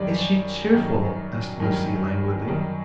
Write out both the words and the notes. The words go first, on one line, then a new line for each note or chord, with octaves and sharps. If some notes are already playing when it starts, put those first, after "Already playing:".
"Is she cheerful?" asked Lucy languidly.
Already playing: F#2 D#3 G3 D5
F#2 D#3 G3
F#2 D#3 G3 A#4
F#2 D#3 G3